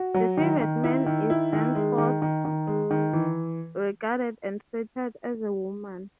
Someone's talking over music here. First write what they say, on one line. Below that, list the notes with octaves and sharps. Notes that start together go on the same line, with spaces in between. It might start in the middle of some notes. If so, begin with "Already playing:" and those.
The favored man is thenceforth regarded and treated as a woman.
Already playing: F#4
F#3
D#3
D#3
E4
D#3
E4
D#3
G#3
D#3
D#3
D#3
G#3
D#3
E3